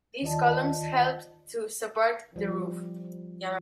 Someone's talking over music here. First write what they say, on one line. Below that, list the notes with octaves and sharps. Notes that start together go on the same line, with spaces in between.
These columns helped to support the roof.
D#2 D#3 F4 D5 D#5 A5
F3 G3